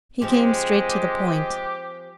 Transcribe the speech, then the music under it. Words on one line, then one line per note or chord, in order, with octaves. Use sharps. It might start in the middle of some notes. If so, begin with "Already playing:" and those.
He came straight to the point.
F3 G#3 C4 G4